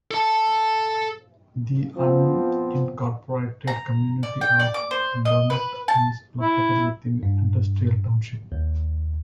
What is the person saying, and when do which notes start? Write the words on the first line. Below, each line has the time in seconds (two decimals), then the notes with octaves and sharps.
The unincorporated community of Burnett is located within Industrial Township.
0.11 A4 A5
1.98 F3 B3 C4 F4
3.67 A#5
4.23 D5
4.41 G5
4.59 D5
4.74 D6
4.91 C5
5.25 D#5
5.50 B4
5.88 A5
6.41 E4
7.23 G2
8.52 D#2